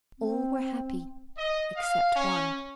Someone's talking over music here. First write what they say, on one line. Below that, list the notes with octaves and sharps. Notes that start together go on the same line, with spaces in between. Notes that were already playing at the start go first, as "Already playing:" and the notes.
All were happy except one.
C4
D#5
F5
C#4